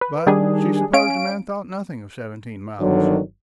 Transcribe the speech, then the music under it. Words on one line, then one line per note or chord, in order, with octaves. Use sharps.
But she supposed a man thought nothing of seventeen miles.
B4
D#3 G3 D4 G4 G#4
C#4 F5 D7
G1 D3 D#3 F#3